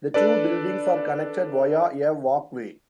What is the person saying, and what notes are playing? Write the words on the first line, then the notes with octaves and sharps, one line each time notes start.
The two buildings are connected via a walkway.
D4 A4 B4 D5